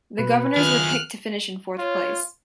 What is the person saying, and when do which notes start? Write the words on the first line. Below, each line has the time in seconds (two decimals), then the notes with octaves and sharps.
The Governors were picked to finish in fourth place.
0.18 B2 B4 C#7
0.56 F#2 D#3 F4 G#4 F6 F#6
1.78 F4 C#5